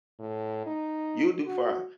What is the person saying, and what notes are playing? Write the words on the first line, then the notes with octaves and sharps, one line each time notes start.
you'll do fine.
A2
D#4
F#4